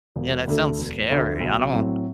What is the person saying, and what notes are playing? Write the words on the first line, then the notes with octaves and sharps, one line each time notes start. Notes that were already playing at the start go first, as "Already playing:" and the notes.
Yeah, that sounds scary, I don't
E1
D2 D3 A3
E1
D2 D3 A3
B1
A2 F#3 C4